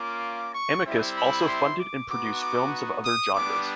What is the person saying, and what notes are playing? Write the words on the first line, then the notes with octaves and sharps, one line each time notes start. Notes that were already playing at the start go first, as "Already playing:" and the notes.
Amicus also funded and produced films of other genres.
Already playing: A#3 C#4 F4 D6
C#6
G3 C4 E4
B5
C6
D6
B3 D#4 F#4 D6
D6
D#6
G3 B3 D4 D6